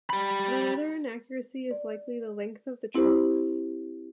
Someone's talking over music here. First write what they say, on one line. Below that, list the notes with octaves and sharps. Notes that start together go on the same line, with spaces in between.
Another inaccuracy is likely the length of the trunks.
G4 B5
D5
C4 E4 G4 A#4 C5